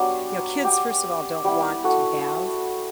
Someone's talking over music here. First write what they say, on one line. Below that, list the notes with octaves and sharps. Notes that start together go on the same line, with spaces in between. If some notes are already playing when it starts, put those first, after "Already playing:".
You know, kids, first of all, don't want to have
Already playing: F#3 B3 D4 G4
G4
G3 B3 E4 G4
F#4 A4